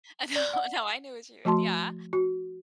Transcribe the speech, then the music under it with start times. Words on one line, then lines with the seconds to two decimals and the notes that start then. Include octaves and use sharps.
Uh, no, no, I knew what you meant Yeah,
0.35 D5
0.53 F#5
1.45 F3 A3 F#4 A5 C6
2.13 F#4